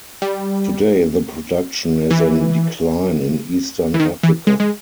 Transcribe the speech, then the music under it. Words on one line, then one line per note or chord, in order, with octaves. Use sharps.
Today the production is in decline in eastern Africa.
G3
E3
E3
D#3
E3
G#3
G#3